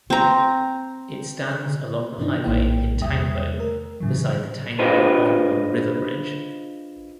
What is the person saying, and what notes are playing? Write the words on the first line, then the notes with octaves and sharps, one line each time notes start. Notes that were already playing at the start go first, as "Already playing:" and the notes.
It stands along the highway in Tangbo beside the Tangbo-Bonbon River Bridge.
C4 A#5
G2 D#3 E3 C4 D4 D#4
A#1 A2 A#3 D#4 E4 G5
E2 C3 G3 E5 G5 D#6
A3 A#4
A2 C#3 E3 F#3
D4 F4 G#4 B4 C5 D#5